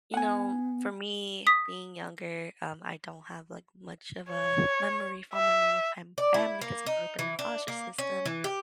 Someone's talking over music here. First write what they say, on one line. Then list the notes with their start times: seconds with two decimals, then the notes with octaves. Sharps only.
you know, for me being younger, um, I don't have, like, much of a memory fond memory with my fam family ‘cause I grew up in the foster system
0.14 B3 F#5 G#5
1.47 D#6 B6
4.32 C#5
5.34 E5
6.18 D5
6.34 E4
6.61 A#3
6.86 D#4
7.19 E3
7.39 D4
7.68 A#3
7.98 C#4
8.26 E3
8.44 G4